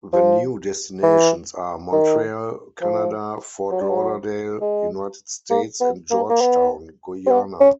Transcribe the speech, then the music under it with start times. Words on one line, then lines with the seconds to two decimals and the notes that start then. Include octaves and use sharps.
The new destinations are Montreal, Canada; Fort Lauderdale, United States and Georgetown, Guyana.
0.13 F3
1.03 E3
1.92 D#3
2.81 F3
3.71 F#3
3.80 G3
3.89 F#3
4.61 G#3
5.50 A#3
5.80 B3
6.11 A#3
6.30 A#3
6.41 B3
7.26 C4
7.30 B3
7.60 C#4